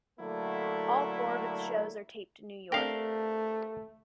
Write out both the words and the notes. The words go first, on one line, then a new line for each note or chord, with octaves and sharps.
All four of its shows are taped in New York.
D3 F#3 A3 A#3 E4
A3 C4 D4 G4 A#4 F5